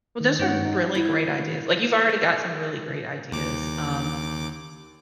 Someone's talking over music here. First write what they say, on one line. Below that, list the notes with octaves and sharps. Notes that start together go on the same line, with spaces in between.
Well, those are really great ideas, like, you've already got some really great ideas, um
D#3
G2 G#3 C#4 D#4 C#5 F#5
D#4
E4
B4
D#2 D6